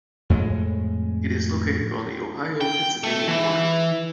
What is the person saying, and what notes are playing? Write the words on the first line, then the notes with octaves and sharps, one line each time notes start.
It is located on the Ohio-Pennsylvania border.
F2 A2 G#3
G5
A3
E3